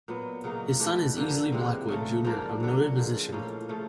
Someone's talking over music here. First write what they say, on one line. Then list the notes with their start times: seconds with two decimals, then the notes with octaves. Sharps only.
His son is Easley Blackwood Junior a noted musician.
0.08 A#2 F#3 B3
0.44 C#3 F#3 A#3 D#4
0.80 E3 A3 D4 G4
1.16 G2 D3 F3 A#3
1.52 C3 E3 G#3 C4
1.89 C#3 F#3 A3
2.24 G#2 F3 A#3 D4
2.60 G2 D3 F#3
2.97 A#2 F3 G#3
3.32 A2 F3 A#3 C#4
3.68 C#3 F3 A3 C#4